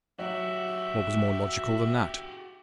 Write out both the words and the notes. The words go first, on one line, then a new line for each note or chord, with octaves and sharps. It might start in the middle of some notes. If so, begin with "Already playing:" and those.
What was more logical than that?
F#3 F#4 G4 E5